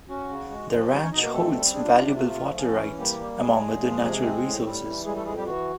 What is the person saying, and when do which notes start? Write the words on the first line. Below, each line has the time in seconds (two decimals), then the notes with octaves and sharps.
The ranch holds valuable water rights, among other natural resources.
0.09 C#4 F#4
0.29 C#3
0.50 G#3
0.71 F3
0.91 G3 D#4 G4
1.02 C#4 C#5
1.12 B2 D#4 D#5
1.23 A#3 A#4
1.33 A3 C4 A4
1.54 G3
1.74 G#3 D4 G#4
1.84 F4
1.95 C3 F4
2.05 G3 G4
2.16 A3 F4
2.37 F3
2.58 C#4
2.78 E3
2.98 G3 A#3 G4
3.19 G3
3.39 E2 G#3 G#4
3.61 E2
3.81 F3
4.01 C3
4.23 C4
4.43 A2
4.64 G3
4.85 E3
5.05 G3 G#3 G#4
5.16 A3 A4
5.25 F2 G#3 G#4
5.37 G3 G4
5.46 E3 F#4